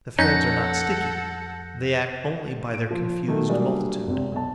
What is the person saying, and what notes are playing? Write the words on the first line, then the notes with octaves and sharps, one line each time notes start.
The threads are not sticky; they act only by their confused multitude.
F2 C#4 D#4 A4 F#5 F#6 G6 A#6
D7
F3
B2 D#3 F#3 A3
F#3 G3 A#3 D4 G#4
G#1 C3
B1 A5